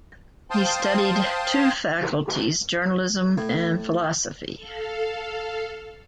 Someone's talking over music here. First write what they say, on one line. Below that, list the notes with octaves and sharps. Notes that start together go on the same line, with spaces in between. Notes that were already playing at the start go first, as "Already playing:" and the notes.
He studied two faculties journalism and philosophy.
C5 F5 G5 A5 C6 D#6
A2
A4 F5